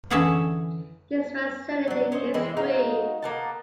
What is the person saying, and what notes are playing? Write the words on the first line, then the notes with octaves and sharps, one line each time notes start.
This facility is free.
D3 E3 C#4 G#4 E5 A5
F#3 D4
C#4 C5 D#5
E3 G#3 C4 E4
G#3 D#4 F#4 F5
A#3 B3 A5